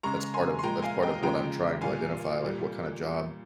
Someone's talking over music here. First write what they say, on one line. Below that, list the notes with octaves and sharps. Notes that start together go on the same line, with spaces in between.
That's part of that's part of what I'm trying to identify, like, what kinda job
C#3 G#3 A#5 C#6
G#5 C6
C6
A#2 F3 G#3 G5 A#5
F5 G#5
D#5 G5
C#3 F3 G#3 G5 A#5
A#2 G3 F5 G#5
A#2 G3